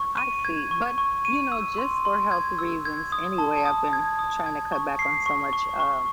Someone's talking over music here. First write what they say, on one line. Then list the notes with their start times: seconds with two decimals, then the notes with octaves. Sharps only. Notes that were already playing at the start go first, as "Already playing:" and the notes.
I see, but, you know, just for health reasons, anyway, I've been trying to cut back on so much, uh,
Already playing: C#6
0.18 D#7
0.45 G#6
0.71 C#6
0.98 C#6
1.25 D#7
1.52 E6
1.78 C6
2.05 C6
2.31 G#6
2.59 E6
2.85 G#6
3.12 D#6
3.38 A5
3.65 D#6
3.93 G#6
4.19 D#6
4.46 G#6
4.72 C#6
4.99 C7
5.26 C#6
5.53 C#6
5.80 C#6